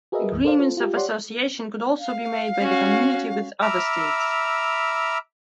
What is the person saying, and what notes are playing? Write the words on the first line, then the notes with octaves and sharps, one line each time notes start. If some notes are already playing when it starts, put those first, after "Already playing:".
Agreements of Association could also be made by the Community with other states.
F#4 G#4 A#4 B4 D#5 E5
B1 F#2 E3
A4 A#4 C5 D5 F5
F4 A4 C5
F4 G4
G4 C#5 D5 F#5 C6
F5
C#4 F#4
E5 A#5 B5 D6 E6 F6